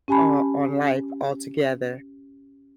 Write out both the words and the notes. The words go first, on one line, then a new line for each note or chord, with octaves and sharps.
on on life altogether.
C#4 G4 G#5 A5 B5